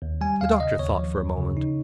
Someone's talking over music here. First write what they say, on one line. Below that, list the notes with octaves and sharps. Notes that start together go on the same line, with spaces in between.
The doctor thought for a moment.
D#2
G3 G#5
D#2 F5
C#3 D#5
D#2 C#5
F3
D#2
C#3
D#4